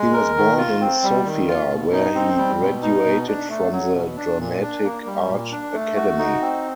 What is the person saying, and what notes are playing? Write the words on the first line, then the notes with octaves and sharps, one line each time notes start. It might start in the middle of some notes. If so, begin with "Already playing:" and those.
He was born in Sofia, where he graduated from the dramatic art academy.
Already playing: G#3
A#4
D#3
F4
C4
G3
D#3
F4
B2
D#4
C4
G3
B2
D#4
B2
D4
A3
F#3
B2
D4
A#2
D4
A#3
G3
A#2
D4
A3
F#4
D#4
C4